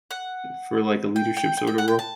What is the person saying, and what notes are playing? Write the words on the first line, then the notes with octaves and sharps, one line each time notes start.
for, like, the leadership sort of role?
F#5
G5
G5
G5
G5
F#5
G5
A5